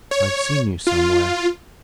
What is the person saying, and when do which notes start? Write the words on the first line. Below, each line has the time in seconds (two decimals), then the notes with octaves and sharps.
"I have seen you somewhere."
0.11 C#5
0.87 F4